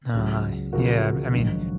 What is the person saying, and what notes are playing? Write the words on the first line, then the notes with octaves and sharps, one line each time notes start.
Nah, yeah, b I mean,
C#2 C#3 F#3
C#2 C#3 F3 F#4 A#4
A#1 G#2 D#3 F#3